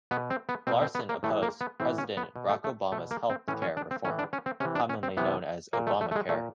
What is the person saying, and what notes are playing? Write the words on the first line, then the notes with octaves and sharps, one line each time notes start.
Larson opposed President Barack Obama's health care reform, commonly known as Obamacare.
B2 B3
C4
B3
B2 C4
C4
B3
A#3
A2 E3 A3
A#3
B3
A2 E3 C4
C#4
B3
B2
A3
A3
B2 A3
A#3
C4
A2 E3 C#4
C#4
D4
C4
A2 E3 C#4
D4
C#4
C4
C3 E3 C#4
D4
C#4
C4
C3 E3 B3
A#2 A#3
A3
A3
A3
G#3
A#2 A3